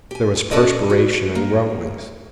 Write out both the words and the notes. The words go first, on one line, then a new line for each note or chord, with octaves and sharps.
There was perspiration and grumblings.
G4 G#5
G#5
C#4 F#4 A4 D5 D#5
F#4
A#3